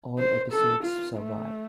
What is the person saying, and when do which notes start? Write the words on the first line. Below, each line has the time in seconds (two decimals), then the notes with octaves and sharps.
All episodes survive.
0.19 C5
0.53 A4
0.84 F4
1.18 A3